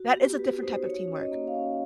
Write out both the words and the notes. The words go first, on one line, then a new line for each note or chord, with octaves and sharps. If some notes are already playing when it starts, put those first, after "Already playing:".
That is a different type of teamwork.
Already playing: F#4
B3 G4
F#4 B4
D#4 C5
F#4 C#5
C#4
D#5
A#3
F5
C#4